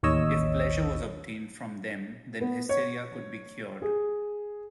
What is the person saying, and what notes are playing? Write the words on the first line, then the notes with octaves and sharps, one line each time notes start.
If pleasure was obtained from them then hysteria could be cured.
A1 D#2 C#5 D#5 E6
B3
C#5
G#4